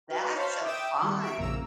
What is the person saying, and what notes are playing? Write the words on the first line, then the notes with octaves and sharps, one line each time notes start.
That's a fine.
F#4 B4 F5
C5 C#5 F5 A5 B5
E5 G5 D6 D#6 D7 E7
D#3 G3
E5 C#6 D7
A#1 F2 C#3 A#3 A#5 E6